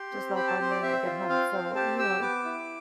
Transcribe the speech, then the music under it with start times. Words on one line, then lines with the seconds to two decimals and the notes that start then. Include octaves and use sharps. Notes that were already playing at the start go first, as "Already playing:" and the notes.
Just log on when I get home, so, you know
Already playing: G4 C6
0.13 C4
0.36 G4 B5
0.47 A5
0.59 C4 C5
0.71 D5
0.82 C4 E5
1.05 F4
1.29 C4 F5
1.53 C4
1.75 G4 A5
1.98 G4 E6
2.21 B3 D6
2.45 E4